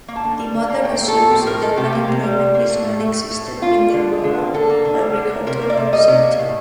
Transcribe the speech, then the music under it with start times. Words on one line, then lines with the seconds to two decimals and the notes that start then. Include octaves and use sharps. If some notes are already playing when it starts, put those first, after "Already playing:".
The model assumes that unemployment is non-existent in the rural agricultural sector.
0.08 A#3
0.16 A5
0.24 D3
0.39 G3
0.54 D3
0.70 A#3
0.85 A2 G5
1.00 A3
1.08 A4
1.16 A2
1.31 F3 G4
1.46 A2 A#4
1.62 A3 A4
1.77 C3 G4
1.93 A#3
2.08 C3
2.23 G3
2.39 C3
2.54 A#3
2.70 A2
2.84 A2
3.00 A3
3.16 A3
3.31 A2
3.47 A2
3.62 D3 F4
3.77 A#3
3.93 D3
4.08 F3
4.24 D3
4.38 A#3
4.54 D3 A4
4.70 A#3
4.85 D3
5.00 G3
5.16 D3
5.31 A#3
5.47 C3 A#4
5.62 A#3
5.70 D5
5.77 C3
5.93 G3 D#5
6.08 C3
6.23 A#3
6.39 A2